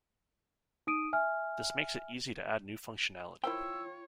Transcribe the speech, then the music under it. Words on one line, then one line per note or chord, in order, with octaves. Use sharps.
This makes it easy to add new functionality.
D#4 D#6 D7 D#7
E5 G#5 F6
E4 F4 A#4 C5 C#5 G5 E6